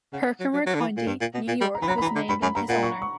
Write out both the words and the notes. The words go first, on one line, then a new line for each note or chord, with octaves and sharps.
Herkimer County, New York was named in his honor.
C#3 F#5
F#3
F#3
F#3
D3
E3
A#2
G2
A#2
B2
A#2
G3
A#5
E3 B5
F#3 A#5
B5
E3
A#5
D3
G2 B5
F#2 B5
G2 A#5
A#2 F#5
C#6
C#6